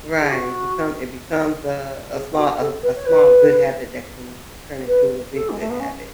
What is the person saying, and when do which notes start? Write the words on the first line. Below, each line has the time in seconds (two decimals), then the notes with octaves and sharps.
Right. Become it becomes a a small a a small good habit that can turn into a big good habit.
0.21 G#4
0.32 F#4
2.15 G#4
2.38 F#4
2.60 A4
2.83 B4
2.96 C#5
3.06 B4
4.88 B4
5.34 A4
5.50 G#3
5.60 A3
5.70 B3
5.80 C#4